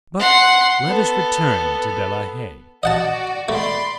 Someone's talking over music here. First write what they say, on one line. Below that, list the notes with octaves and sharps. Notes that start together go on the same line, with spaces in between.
But let us return to De la Haye.
F#5 C6
B3 A4
F#4 D5 D#5 F#5 A5
A3 D5 B5 C6